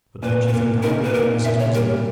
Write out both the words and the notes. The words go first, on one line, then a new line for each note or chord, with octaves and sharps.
But don't you think I'll be like Mrs. Prettyman.
A#2 B4
B4
A#2 A#4
D#4 A#4
B4
A#2 A#4
A#2 E5
C#5
G3 A#4